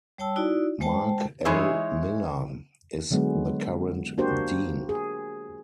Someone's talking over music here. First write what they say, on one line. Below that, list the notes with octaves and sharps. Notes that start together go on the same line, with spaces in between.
Marc L. Miller is the current Dean.
G3 C#5 G5 A5 E6
D#4 E4 F#4 D5
G#3 C5 G5 A5
E3 G#3 D#4 G#4 C#5 E5
D3 F#3 G#3 B3
A#3 D4 F#4 G4 C5
G#4